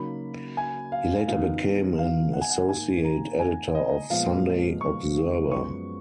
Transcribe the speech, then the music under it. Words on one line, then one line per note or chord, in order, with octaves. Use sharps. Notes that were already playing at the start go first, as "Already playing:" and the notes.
He later became an associate editor of "Sunday Observer".
Already playing: C#3 F#3 A#3 D#4 B5
G#5
F5
D#3 F#3 B3 D#4 F5
F5
F#5
G#5
F#5
G#2 D#3 A#3 D#4 G#5
A#5
G#5
D#5
A#2 F3 G#3 B3 F5
C#6
F#2 F3 G#3 B3 C#6